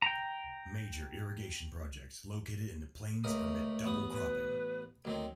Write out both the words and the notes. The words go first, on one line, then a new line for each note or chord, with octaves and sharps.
Major irrigation projects located in the plains permit double-cropping.
G5 A#5
C#2 A3 A#4 D#6
A1 B3 D#6
B4
D2 D#3 F#3 C4